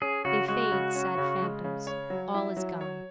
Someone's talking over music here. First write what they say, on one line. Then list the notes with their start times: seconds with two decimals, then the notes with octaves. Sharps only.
They fade, sad phantoms: all is gone.
0.01 C#4 G#4
0.25 C#3 F#4
0.48 G#3 F#4
0.71 C#3
0.95 C#4
1.17 C#3
1.42 G#3
1.64 C#3
1.87 C#5
2.10 F#3
2.34 E4
2.57 F#3
2.81 C#5